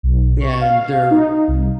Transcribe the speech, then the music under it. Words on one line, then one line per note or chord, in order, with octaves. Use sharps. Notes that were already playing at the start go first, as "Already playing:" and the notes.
and they're
B1
C#6
F5
D#4
C2